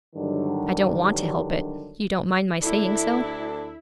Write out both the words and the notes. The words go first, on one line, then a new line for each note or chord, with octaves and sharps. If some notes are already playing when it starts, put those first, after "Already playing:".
I don't want to help it; you don't mind my saying so?'
G2 D3 D#3 F#3
D2 D4 E4 A4